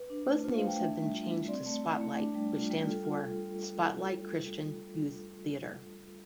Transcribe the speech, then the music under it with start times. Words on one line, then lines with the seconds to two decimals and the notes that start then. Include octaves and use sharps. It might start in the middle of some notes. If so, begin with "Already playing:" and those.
Both names have been changed to Spotlight which stands for Spotlight Christian Youth Theatre.
Already playing: B4
0.10 D4
0.27 A3
0.44 F4 C5
0.56 F5
0.62 A3
0.67 G5
0.79 D4 E5
0.97 G3
1.14 F4
1.31 G3
1.48 C4 D5
1.66 A3
1.84 E4
2.01 A3
2.18 D4
2.35 G3
2.53 F4
2.70 G3
2.87 F4 A4
3.05 F4